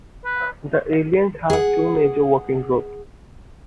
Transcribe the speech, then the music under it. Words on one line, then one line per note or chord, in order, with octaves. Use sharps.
The Alliance has two major working groups.
B4
G#4 F#5